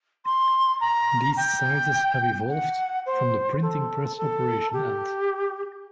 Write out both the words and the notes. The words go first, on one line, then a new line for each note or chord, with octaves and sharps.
These sizes have evolved from the printing press operation end.
C6
A#5
G5
F#5
C5
A4
A4
G4